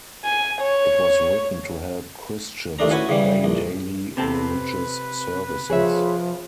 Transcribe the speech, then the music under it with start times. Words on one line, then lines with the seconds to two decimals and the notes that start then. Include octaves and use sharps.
It was written to help Christians pray daily religious services.
0.24 G#5
0.61 C#5
2.78 A1 D#2 A3 D4 A#5
2.90 C#4 E4 F#4 B4 C#5 G#5
3.09 C#3 E3 G3
3.44 A#1
4.17 C3 C4 A4 B4
5.70 F3 G#4 C#5 E5